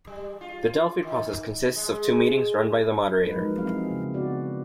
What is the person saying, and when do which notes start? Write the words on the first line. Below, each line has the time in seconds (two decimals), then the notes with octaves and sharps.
The Delphi process consists of two meetings run by the moderator.
0.07 G3
0.41 F4
1.02 D#3
1.76 G#3
3.25 F3 F#3 G#3 D#4 A#4 B4
3.57 F#3 C4 E4 G#4 F5
3.91 C#3
4.14 B3 F#4 D5